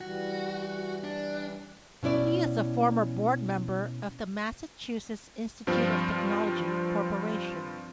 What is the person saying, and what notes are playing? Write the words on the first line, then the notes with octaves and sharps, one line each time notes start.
He is a former board member of the Massachusetts Institute of Technology Corporation.
E3 G3 F#4
D4
B2 C#4 E4 D5
G2 F3 C4 F4